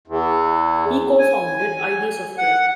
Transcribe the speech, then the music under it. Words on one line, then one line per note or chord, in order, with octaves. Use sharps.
He co-founded id Software.
E2
G#5
F#5